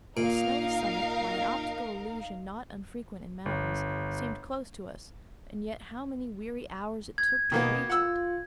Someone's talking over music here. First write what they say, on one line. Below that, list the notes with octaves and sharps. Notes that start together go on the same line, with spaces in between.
Its snowy summit, by an optical illusion not unfrequent in mountains, seemed close to us, and yet how many weary hours it took to reach it!
A#2 D#4 A#4 F5
G1
G#6
B2 D#3 A#3 B3
F4 F#5 E6